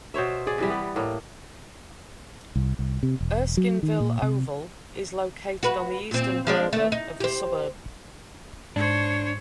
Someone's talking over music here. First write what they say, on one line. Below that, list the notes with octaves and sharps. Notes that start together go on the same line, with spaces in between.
Erskineville Oval is located on the eastern border of the suburb.
B2 C5 C#5 E5
G#4 D5
C3 E3 G3
B3
A2 A#3
C2
C2
C3
E1
F#3
D#3
A#2
C3
F#4 B4
A#2 C4
F3 G#3 D4
A3
D#4
G4 C5
G#2 D4 C5 C#5